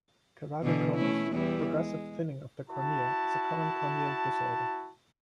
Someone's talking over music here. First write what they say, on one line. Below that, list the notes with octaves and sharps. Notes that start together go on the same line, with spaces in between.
Keratoconus, a progressive thinning of the cornea, is a common corneal disorder.
B2 D3 E3
A3 C#4 E4
E2 G3 E4
G#3
E4 F#4 A5